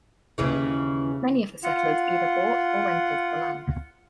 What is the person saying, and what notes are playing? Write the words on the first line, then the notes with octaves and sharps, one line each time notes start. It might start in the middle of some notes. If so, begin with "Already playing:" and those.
Many of the settlers either bought or rented the land.
D#2 C#3 E3
F4 F#5